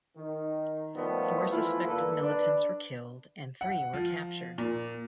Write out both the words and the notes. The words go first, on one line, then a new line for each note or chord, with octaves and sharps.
Four suspected militants were killed and three were captured.
D#3
A#2 D#3 F3 G3 A3 B3
E3 F3 A3 B3 E4 F4
G2 D3 A#3 A4 B4
D4 B4
F#5
F3
A#2